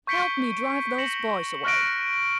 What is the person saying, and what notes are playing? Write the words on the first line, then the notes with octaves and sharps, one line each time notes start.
"Help me drive those boys away."
C#6 G6 B6 C#7 D7 G7
A#6 C#7 E7 F#7
C#6 F6 F#6 A#6 D7